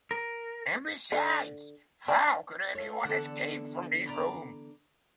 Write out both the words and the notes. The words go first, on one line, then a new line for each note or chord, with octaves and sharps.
And besides, how could anyone escape from these rooms?
A#4
D3
D4
A3 F4 C#5
D3 E3 B3 A4 F#5
D5 A#5 B5